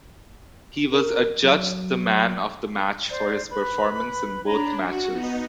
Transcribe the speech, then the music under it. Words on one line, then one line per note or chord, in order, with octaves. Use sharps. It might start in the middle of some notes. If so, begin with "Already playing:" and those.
He was adjudged the man of the match for his performance in both matches.
A#4
F#3
C5 D5
B4 B5
D4 C#5 A#5 B5
F#4 F#5
B3 D#4